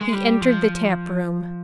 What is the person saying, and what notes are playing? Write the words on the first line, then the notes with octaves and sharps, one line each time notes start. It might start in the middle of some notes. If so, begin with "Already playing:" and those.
He entered the tap-room.
G#3
G3
F3